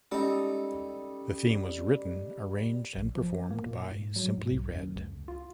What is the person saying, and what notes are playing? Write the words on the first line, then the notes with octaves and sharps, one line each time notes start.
The theme was written, arranged and performed by Simply Red.
G3 G#3 C#4 D#4 G4 A4
A#1
F3
A#3
A#2
G#2
F#3
G#2
B1
F#2
C#2
F4